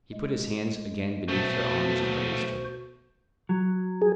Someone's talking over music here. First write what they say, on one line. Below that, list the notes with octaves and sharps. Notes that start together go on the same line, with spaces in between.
He put his hands again beneath her arms and raised her.
G#3
B2 F#3 A3 F#4 C5
F#3
G#4